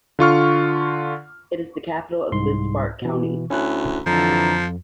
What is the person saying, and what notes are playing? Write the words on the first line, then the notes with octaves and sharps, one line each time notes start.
It is the capital of Lidzbark County.
D3 F4 C#6 F6
C2 G#2 C6
B2 E3
D2 C#4 E4 F#6
F2 D3 E3 F3 A#5